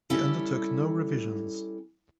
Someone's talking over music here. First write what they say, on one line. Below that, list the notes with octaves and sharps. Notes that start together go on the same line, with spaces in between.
He undertook no revisions.
G3 C#4 E4 G4 A4 G#5